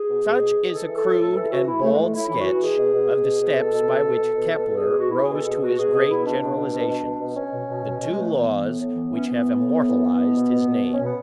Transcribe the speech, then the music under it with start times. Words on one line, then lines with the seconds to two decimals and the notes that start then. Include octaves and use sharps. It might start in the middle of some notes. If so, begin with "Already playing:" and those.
Such is a crude and bald sketch of the steps by which Kepler rose to his great generalizations--the two laws which have immortalized his name.
Already playing: G#4
0.09 B2
0.25 B2
0.41 B2
0.56 B2
0.68 G#4
0.73 E3 A4
0.88 E3
0.96 A4
1.04 A2
1.20 A2 A4
1.35 E3 A4
1.51 E3 F#4
1.67 E3 E4
1.83 E3 A3
1.92 G#3
1.99 A2 A3
2.14 A2 E4
2.28 E3 E4
2.38 F#4
2.46 E3
2.62 B2 G#4
2.78 B2
2.93 B2
3.10 B2
3.25 B2
3.41 B2
3.57 B2 A4
3.73 B2
3.89 B2
4.04 B2
4.20 B2
4.36 B2
4.52 B2 A4
4.67 B2
4.76 G#4
4.84 B2
4.99 B2 F#4
5.11 B2 E4
5.23 G#4
5.31 B2 A4
5.47 B2 G#4
5.62 B2 F#4
5.78 B2 G#4
5.94 B2 G#4
6.10 B2 E4
6.26 B2 D4
6.42 B2
6.57 B2
6.73 B2
6.89 B2
7.05 B2
7.21 B2
7.36 B2 C#4
7.52 B2
7.68 B2
7.84 B2
8.00 B2
8.08 G#3
8.15 B2 A3
8.31 E3 B3
8.47 E3
8.63 A2
8.79 A2
8.94 E3
9.10 E3 C#4
9.26 E3 B3
9.42 E3
9.58 A2
9.73 A2
9.89 E3
10.06 E3
10.21 B2
10.37 B2
10.53 B2
10.68 B2
10.85 B2
10.94 C#4
10.99 B2
11.05 B3